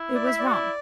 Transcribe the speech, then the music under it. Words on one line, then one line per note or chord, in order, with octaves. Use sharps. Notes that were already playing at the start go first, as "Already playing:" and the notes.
It was wrong.
Already playing: E4
D5
E5
D5
F#4
E4